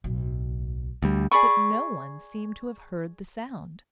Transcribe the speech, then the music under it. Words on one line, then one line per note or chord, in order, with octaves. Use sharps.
But no one seemed to have heard the sound.
D1 B1
D2 G3
G#4 D5 B5 C#6